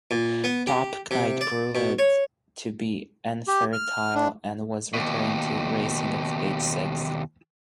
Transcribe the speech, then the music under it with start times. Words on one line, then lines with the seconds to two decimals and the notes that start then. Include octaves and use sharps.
Top Knight proved to be infertile and was returned to racing at age six.
0.11 A#2
0.44 B3
0.67 G4
1.11 C3
1.41 D5
1.75 B2
1.99 C#5
3.47 G4
3.73 F6
4.15 D4
4.94 D#2 B2